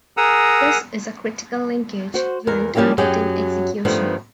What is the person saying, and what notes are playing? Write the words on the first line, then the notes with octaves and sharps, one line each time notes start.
This is a critical linkage during targeting execution.
G#4 A#4 F#5 A#5 D#6 E6
F#4 C5
E2 A#4
F3 G3 A#3 C#4 E4 G4
F#2 F#3 G4 G#4 G5
G2 D#3 F3 A3 B3 D4